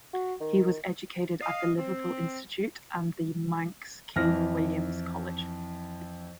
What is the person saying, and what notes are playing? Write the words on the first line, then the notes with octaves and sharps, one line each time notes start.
He was educated at the Liverpool Institute and the Manx King William's College.
F#4
D#3
D#5 F5
C4
F2 E3 E4 F6 A#6